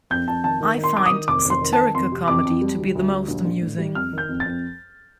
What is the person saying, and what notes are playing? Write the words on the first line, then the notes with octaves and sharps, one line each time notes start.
I find satirical comedy to be the most amusing.
F2 G6
F2 A5
D#3 A5
D#3
D#3
C6
D#3 D6
D#3 D#6
F1 D6
F1
C6
D#3
A5
D#3
F2 C6
C3
F2 D6
F2
G3
D2
D2
G3
A#1
A#1
A2
G3
F2 F6
D#3
G6
F2
A6
F2